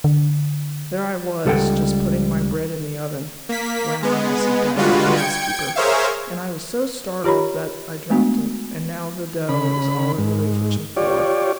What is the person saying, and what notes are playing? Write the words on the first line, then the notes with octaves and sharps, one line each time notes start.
There I was, just putting my bread in the oven," went on Mrs. Baggert, the housekeeper, "and I was so startled that I dropped it, and now the dough is all over the kitchen floor.
D3
C#2 G3 A4 D5 F#5 G5
A#3 B6
G#3 B3
D3 G3 G#3 F4 F#4 B4
G5 G#6 C#7
G#4 A#4 C5 C#5 E5 F5
F4 G4 C#5 A#5 B5
G#3 A3 B3 D4 F#4
C#3 B5
G#2
F4 G4 C#5 D5